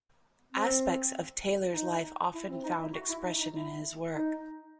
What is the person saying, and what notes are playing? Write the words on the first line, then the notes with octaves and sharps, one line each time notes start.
Aspects of Taylor's life often found expression in his work.
C4
D#4
E4
C4
D#4
E4
F#4
E4
D#4
D#4
E4
D#4